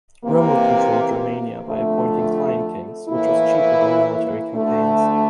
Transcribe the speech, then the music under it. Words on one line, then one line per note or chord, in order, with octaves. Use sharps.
Rome would control Germania by appointing client kings, which was cheaper than military campaigns.
C3 E3 A#3
F2 D3 A3
A2 E3 A#3 E4
D2 D3 A3